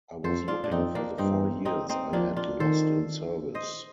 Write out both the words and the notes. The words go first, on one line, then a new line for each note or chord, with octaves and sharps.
I was looking for the four years I had lost in service.
F2 A4 C5
D4 F4
D4
F2 C4 D#4
A#3 D4
G2 C4 D#4
C4 D#4
C4 D#4
F3 A#3 D4
D4 F4
D#3 A4 C5
C5 D#5